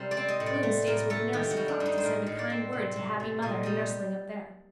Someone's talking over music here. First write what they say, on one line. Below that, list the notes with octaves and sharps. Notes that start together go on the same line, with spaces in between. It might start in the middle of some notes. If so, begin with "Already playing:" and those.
Bloom stays with nurse a thought to send a kind word to happy mother and nurseling up there.
Already playing: C3 G3 A#4 C5
D5
C4
D#5
A2
D5
A3
A2 A#4
A3 A4
D#3 G4
F#4
G3
D4
G2
D#4
C5
A2 A#4
A2
D5
C4
C3
C3
A3
A#2 D#5
G3 D#5